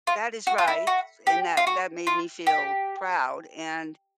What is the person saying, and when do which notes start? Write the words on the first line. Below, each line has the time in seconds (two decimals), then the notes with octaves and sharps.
that is right and that that made me feel proud and,
0.07 F4
0.47 F#4
0.58 F4
0.68 E4
0.87 F#4
1.27 G4
1.57 F4
1.67 F#4
2.07 F4
2.47 G4